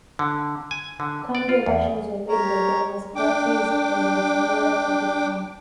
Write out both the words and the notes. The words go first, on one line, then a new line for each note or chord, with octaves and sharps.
Cumbia versions were made by Damas Gratis and La Sonora Tropicana.
D3
G#5
D3
D5
F4
E2
G4 A#4 C#5
D4 G5 D6